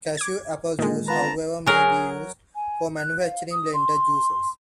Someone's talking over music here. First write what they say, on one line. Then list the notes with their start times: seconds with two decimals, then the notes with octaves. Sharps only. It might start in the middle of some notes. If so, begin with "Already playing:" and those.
Cashew apple juice, however, may be used for manufacturing blended juices.
0.17 D6 G#6
0.79 A#2 D#3 G#3
1.08 B3 C4 F4 B4 A5 A#5
1.67 F#3 G#4 A#4
2.55 G#5
2.97 F#6
3.20 F5
3.51 D#6
3.73 C6